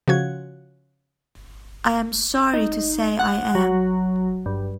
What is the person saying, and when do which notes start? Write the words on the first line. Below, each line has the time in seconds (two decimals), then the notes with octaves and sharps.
I am sorry to say I am.
0.08 C#3 F3 F#4 G#6
2.54 D#4
3.19 F#5
3.55 F#3
4.46 G2